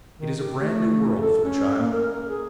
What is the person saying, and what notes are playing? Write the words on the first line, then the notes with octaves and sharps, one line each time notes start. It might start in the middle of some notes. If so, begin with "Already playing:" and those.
It is a brand-new world for the child.
D#3
G4
A3
A4
C#4
A#3
A#4
G#4